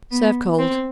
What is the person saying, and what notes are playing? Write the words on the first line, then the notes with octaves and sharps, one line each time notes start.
Serve cold.
B3
C4